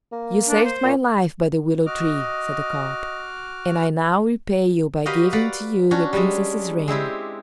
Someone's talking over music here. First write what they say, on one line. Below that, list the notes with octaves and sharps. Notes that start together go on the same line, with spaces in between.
"You saved my life by the willow-tree," said the carp, "and I now repay you by giving to you the Princess's ring."
A#3
D4
C5
A#2
F#4 D#5 D6 F6
F#4 G4 A#4 B4 D#5 F5
B4 D5 F5 F#5 A#5 B5
C#4 D4 F#4 A#5
G3 G#3
G#3 C4 E4 G4